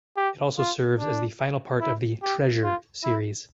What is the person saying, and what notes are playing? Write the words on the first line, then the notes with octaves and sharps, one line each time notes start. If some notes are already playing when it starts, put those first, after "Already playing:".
It also serves as the final part of the "Treasure" series.
G4
F4
D4
E4
G4
F4
E4